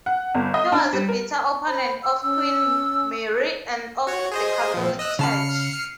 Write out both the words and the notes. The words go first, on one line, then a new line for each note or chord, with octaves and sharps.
He was a bitter opponent of Queen Mary and of the Catholic Church.
F#5
G1
D#5
D4
G3
A#4
C5 B5
E6
C#4 E6
F#4 C#5
G#4 C5 D#5
A#2 F3
D#5 E6 F#6
C#3 A5 B5 F6 C7 C#7